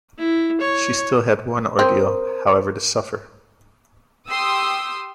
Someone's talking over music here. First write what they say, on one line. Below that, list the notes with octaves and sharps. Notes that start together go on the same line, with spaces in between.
She still had one ordeal, however, to suffer.
E4
C#5
C4 A#4 C5 D#6
G4 G5 C6 D#6 E6